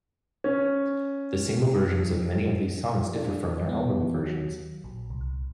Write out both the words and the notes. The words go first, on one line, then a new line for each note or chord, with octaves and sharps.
The single versions of many of these songs differ from their album versions.
C#4
D4
B3
F#3
A#1
C2